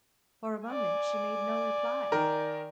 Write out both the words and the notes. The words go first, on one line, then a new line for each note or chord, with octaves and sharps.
For a moment she made no reply.
D5 G#5
D#3 A#4